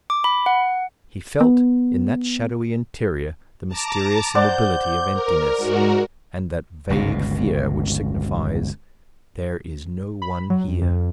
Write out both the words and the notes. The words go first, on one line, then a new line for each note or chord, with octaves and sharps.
He felt in that shadowy interior the mysterious immobility of emptiness, and that vague fear which signifies--"There is no one here."
D6
B5
F#5
B3
A5 A#5 D6
C5 D5 F#5 G6
A#4
G#2 F#4 A#4
G1 C#2 B2
B5
F#3
F2
F2